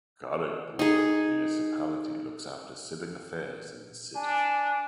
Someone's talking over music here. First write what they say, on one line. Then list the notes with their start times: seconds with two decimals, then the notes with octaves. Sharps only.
Kharagpur Municipality looks after civic affairs in the city.
0.79 D#4 G#4
4.15 D4 G#5